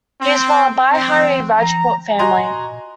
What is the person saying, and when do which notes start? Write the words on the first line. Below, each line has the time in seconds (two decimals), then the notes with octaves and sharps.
He is from a Bihari Rajput family.
0.20 C4
0.91 C4
1.57 A#5
2.19 F#4 D#5 G#5 A#5 C6